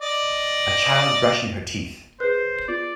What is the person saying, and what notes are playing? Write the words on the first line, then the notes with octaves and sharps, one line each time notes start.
A child brushing her teeth.
D5 D#5
G#4 B4 C5 F#6
B3 F4 D5